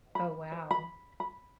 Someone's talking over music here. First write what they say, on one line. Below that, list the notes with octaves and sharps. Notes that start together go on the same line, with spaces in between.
Oh, wow.
B5
C5
B5
B5